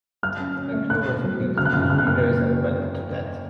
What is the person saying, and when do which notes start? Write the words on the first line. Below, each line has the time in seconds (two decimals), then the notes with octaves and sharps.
"McClure's" began to lose readers and went into debt.
0.23 F#3 F6
0.40 C#4
0.57 C#4
0.73 A3
0.90 B2 F#6
1.07 B2
1.24 F#3
1.40 B2
1.58 C#3 F6
1.65 F#6
1.74 F#2 F6
1.82 F#6
1.90 C#3 F6
1.98 F#6
2.07 A#3 F6